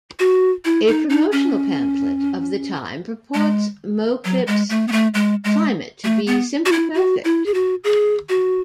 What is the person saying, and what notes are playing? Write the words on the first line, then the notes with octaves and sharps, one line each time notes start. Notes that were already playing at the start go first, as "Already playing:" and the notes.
A promotional pamphlet of the time purports Moclips' climate to be "simply perfect".
F#4
E4
D#4
D#4
C#4
G#3
F#3
G#3
A3
B3
A3
G#3
G#3
A3
B3
F#4
E4
F#4
E4
G#4
F#4
G#4
F#4